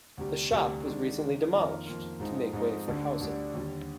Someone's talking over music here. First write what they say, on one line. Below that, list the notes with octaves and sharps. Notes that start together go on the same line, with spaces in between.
The shop was recently demolished, to make way for housing.
D2 C3 G3
D2 C3 G3
D#3 G#3 D4
D#3 G#3 D4
F2 D#3 A#3 F4 A#4
F2 D#3 A#3 F4 A#4
G#2 F3 G#3 C4 D#4
G#2 F3 G#3 C4 D#4
D2 D3 G3 D4
D2 D3 G3 D4
D#2 D3 G3